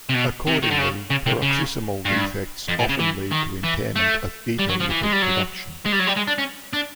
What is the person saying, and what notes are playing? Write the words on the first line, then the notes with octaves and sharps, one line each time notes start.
Accordingly, peroxisomal defects often lead to impairment of ether-lipid production.
C3
B2
C3
D#3
D3
C#3
C#3
C3
C#3
G2
F2
A2
C#3
E3
D#3
E3
A3
G3
F#3
F3
E3
G#3
G3
F#3
G#3
G3
F#3
G3
G#3
D4
C#4
D4